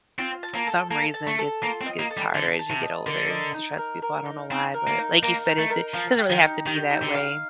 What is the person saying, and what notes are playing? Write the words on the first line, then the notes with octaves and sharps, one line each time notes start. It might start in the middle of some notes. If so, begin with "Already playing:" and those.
for some reason gets gets harder as you get older to trust people. I don't know why, but like you said, it d doesn't really have to be that way.
C4 F4
A5
A#3
A4
A#3 A4
A5
A3
A4
A#3 F4
C4
D#5
A#3
A4
G3
D3 A5
A5
C3
D#5
D3 A#4
D#5
D#4
A#4
A#4
D#4
C4 D#4
A#4
A#3
D#4
A#3 A#4
D#4
A3
A#4
F3 F5
G4
D#3
D#4
D#3 G4
D#4
D3
F5